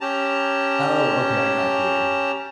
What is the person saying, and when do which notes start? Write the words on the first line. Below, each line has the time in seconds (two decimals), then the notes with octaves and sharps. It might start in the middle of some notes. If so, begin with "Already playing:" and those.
Oh, okay. I got you.
0.01 C#4 G4 A5 A#5